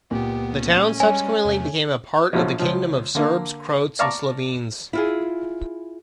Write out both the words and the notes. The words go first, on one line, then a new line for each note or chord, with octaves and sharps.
The town subsequently became a part of the Kingdom of Serbs, Croats and Slovenes.
C#2 A#2 B3 G4
C#4
G3 G#3 C#5 G#5
E2 C3 A3
A#1 B2 F3 F#3
C#2 F3
D3 A#3
D5 F5 A5 A#5 C#6 D6
E4 F4 G#4